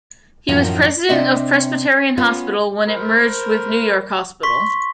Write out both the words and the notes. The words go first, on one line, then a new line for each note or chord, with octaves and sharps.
He was president of Presbyterian Hospital when it merged with New York Hospital.
F#2 A2 D#3 F3 F#3 C#4
C3 C4 D4 D#5 E5
B3 C#4 F4 B4
A#4 C5 B5
C6 C#6 B6